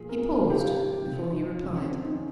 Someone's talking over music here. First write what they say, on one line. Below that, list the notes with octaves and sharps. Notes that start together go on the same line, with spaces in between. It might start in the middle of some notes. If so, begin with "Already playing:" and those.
He paused before he replied.
Already playing: A#2 F3 G#4
A#4
C3 F3
G4
F4
C3 D#3
D#4
C3 F3 C#4
C4
C4
D#4
C#4